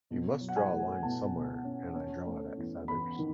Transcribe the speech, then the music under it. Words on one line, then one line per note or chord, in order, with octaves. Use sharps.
You must draw a line somewhere, and I draw it at feathers.
B2
F#3
F#5
G#5
A3
B2 A5
B2
C#4
C#4
A3
E2
E2 B5
D#3